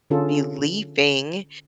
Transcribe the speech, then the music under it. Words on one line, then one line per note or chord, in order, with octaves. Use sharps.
be leaving,
D3 C#4 F4 G#4 A4